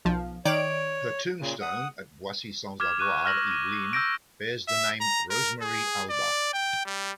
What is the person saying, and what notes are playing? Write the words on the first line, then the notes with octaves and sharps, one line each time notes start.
Her tombstone at Boissy-sans-Avoir, Yvelines, bears the name Rosemarie Albach.
B1 F3
D#3 C#5 D5 D7
A#2 C#3
F#5 D#6
D6 F6 G#6 E7
C#6 F#6 D#7
E6 F6 A#6 F#7
D#7
E6 G6 A#6 D7
E5
A#5
A#4
G#4
D5
G5
G3